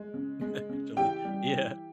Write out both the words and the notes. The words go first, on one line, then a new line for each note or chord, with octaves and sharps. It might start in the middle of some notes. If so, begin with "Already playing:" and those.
actually." Yeah.
Already playing: G#3
C#3
G#3
C#3
E3 G4 G5
G3
E3